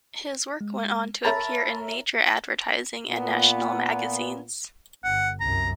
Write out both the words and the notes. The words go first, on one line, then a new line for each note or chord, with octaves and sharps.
His work went on to appear in major advertising and national magazines.
G#3
A#4 C#5 E5 A5 B5 A6
A#2 B3
G1 F#5
C2 F#2 A#5